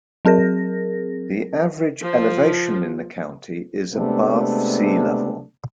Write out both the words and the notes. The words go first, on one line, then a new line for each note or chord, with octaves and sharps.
The average elevation in the county is above sea level.
F#3 C4 G#4 A#4 A#6
F3
C3 G#3 A3 B3 D4